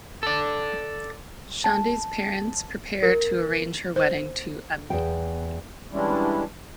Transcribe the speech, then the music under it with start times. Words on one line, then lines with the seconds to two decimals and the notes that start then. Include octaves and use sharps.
Chandni's parents prepare to arrange her wedding to Amit.
0.23 A4 D5
1.64 A5
3.03 A#4
3.96 C5
4.90 E2 G5
5.92 E3 G3 G#3 C#4 D4 E4